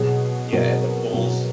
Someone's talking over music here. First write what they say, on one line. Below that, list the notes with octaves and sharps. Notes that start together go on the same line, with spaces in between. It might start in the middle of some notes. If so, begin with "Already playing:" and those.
yeah, and the pools
Already playing: B2 F#3 G#4
B2 F#3 A#4
B2 F#3